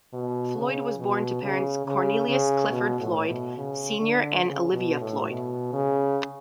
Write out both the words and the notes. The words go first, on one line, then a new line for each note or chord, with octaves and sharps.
Floyd was born to parents Cornelius Clifford Floyd, Senior and Olivia Floyd.
B2
C#3
B2
C#3
C#3
C#3
B2
A2
B2
C#3
D3
C#3
B2
A2
B2
C#3